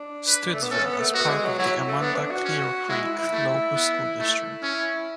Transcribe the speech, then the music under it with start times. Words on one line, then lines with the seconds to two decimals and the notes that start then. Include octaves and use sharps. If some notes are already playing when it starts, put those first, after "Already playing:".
Stoutsville is part of the Amanda-Clearcreek Local School District.
Already playing: D4
0.27 B4
0.53 A3
0.63 B3
0.70 C#4 A4
0.85 B3
1.00 A3
1.14 B3 F#4
1.24 A3
1.30 G#3
1.44 F#3
1.59 F#3 E4
1.87 A3
2.01 B3 D4
2.16 D4
2.31 F#4
2.45 C#4
2.89 G#3 E4
3.03 E4
3.18 E4
3.33 A3
3.76 B3
4.19 A3 E4
4.63 C#4